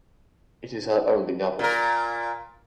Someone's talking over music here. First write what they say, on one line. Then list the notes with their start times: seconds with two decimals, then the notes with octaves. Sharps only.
It is her only novel.
1.59 A#2 A#4